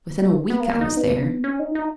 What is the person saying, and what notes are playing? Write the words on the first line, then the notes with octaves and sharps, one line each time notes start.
Within a week I was there.
B3
A#3
A#3
D#4
B3
C#4
D#4
D#4